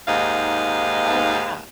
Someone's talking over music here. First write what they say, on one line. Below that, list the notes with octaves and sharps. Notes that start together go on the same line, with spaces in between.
Oh, yeah.
D#2 G#2 D#5 F5